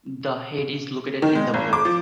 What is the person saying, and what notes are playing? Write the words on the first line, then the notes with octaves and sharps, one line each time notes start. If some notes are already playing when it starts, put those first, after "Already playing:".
The head is located in the bow.
D#3
G#3
G#1
D6
F3